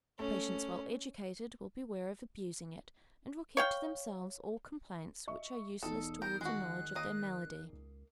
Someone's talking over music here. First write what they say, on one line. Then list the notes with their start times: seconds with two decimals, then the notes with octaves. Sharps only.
Patients well educated will beware of abusing it, and will keep to themselves all complaints which are useless towards a knowledge of their malady.
0.19 A3 C#4
3.57 C#5 F5 G5
5.27 D#5 E5 C#6
5.83 E1 E2 D#4 A4 D#6
6.22 A#4 G6
6.41 D#3 G#3 F#4 F#6
6.95 A#3 D#5
7.73 C#2